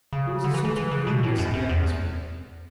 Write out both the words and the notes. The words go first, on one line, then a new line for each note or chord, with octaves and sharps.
There was a sort of bleakness in the atmosphere.
C#3
D3
E3
E3
E3
C#3
B2
A2
F#2
F#2
E2